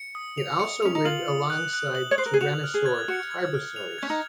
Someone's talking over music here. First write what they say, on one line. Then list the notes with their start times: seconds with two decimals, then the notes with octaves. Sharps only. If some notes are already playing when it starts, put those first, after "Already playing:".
It also lived alongside the tyrannosaur "Tarbosaurus".
Already playing: C#7
0.15 D#6
0.38 F7
0.60 C#7
0.82 C#4 F7
0.95 D#4
1.05 F4 F#7
1.28 D#6
1.50 F#6
1.73 F#6
1.95 F#7
2.11 C#5
2.18 C5 F#6
2.26 A#4
2.34 G#4
2.41 F#4 F7
2.64 F6
2.74 G#4
2.86 G#6
3.08 F#4 C#7
3.31 G#6
3.54 F6
3.76 F7
3.98 C#4 G#6
4.10 D#4